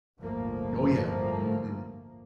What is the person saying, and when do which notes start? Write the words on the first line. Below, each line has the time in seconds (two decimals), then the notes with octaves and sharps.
Oh, yeah. Mhm.
0.19 G1 D2 A2 F3 A#3